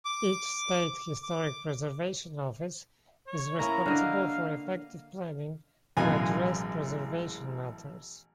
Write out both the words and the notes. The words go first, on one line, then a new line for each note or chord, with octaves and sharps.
Each State Historic Preservation Office is responsible for effective planning to address preservation matters.
D6
D6
C#5
A#3 C#4 E4 A#5
D3 A#3 D#5 F5
A1 F#2 B2 G#3 F5 G#5